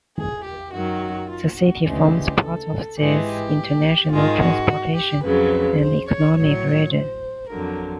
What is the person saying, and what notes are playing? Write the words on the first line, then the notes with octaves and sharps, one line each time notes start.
The city forms part of this international transportation and economic region.
G#4
G4
F#2 D#3 F#3 F#4
F4
F#4
D2 C#3 E3 G#3 G4
A4
G#2 E3 G#3 G4
G4
G#2 D#3 G#3 F4
F#4
G4
F2 C#3 F#3 B4
C5
C#5
A2 F#3 C#5
C5
F2 D3 F#3 A#4